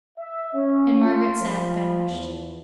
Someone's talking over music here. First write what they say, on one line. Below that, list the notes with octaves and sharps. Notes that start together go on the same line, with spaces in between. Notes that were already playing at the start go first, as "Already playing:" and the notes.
And Margaret sate abashed.
E5
C#4
F4
F3
E2